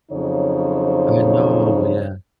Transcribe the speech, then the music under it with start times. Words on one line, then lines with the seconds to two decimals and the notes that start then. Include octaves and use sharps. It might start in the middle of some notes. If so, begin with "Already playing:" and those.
I know, yeah.
0.11 F2 C#3 F#3 D#4 C5 C#5